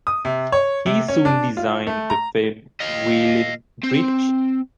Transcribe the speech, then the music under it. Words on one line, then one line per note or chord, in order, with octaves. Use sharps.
He soon designed the famed "Welin Breech".
D#6
C3
C#5
C3
C#4
D4
F4
A3
A#5
D#5 F5
C4